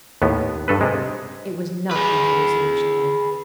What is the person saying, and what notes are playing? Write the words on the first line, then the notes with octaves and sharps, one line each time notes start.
It was not an hallucination, then.
D#2 A2 B3
G2 A4 B4
C3 G#3
G#4 B4